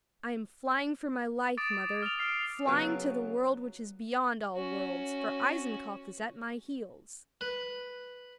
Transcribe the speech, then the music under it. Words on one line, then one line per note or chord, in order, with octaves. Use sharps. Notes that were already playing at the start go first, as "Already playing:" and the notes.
'I am flying for my life, mother, flying to the world which is beyond all worlds; for Eisenkopf is at my heels.'
D6 D#6 A6 D7
F6 F7
F6 C7 D7
C#3 F#3 B3 F4 A#4
C#4 F#4
B4